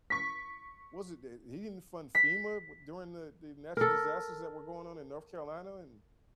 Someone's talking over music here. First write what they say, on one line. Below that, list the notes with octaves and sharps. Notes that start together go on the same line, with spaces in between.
was it that he didn't fund FEMA? W during the the natural disasters that were going on in North Carolina? And
C#6 B6
B6
A4 A#4